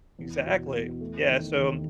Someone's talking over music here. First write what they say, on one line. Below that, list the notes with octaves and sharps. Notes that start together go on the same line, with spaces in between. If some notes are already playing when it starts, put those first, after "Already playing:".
Exactly. Yeah, so
E2
B2
E2
A3
D#3
D#2